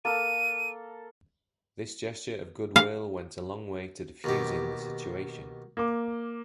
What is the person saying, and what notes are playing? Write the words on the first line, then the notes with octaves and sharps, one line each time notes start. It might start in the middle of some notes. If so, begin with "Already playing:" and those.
This gesture of goodwill went a long way to defusing the situation.
A#3 A4 D#7
F5
D#2 B2 G4
A#3 D6